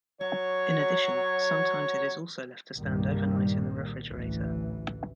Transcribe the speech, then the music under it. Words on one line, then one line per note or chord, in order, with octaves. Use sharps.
In addition, sometimes it is also left to stand overnight in the refrigerator.
F#3 C#5
C2 G2 A#2 D#3 G3 A#3
A1 D2 E3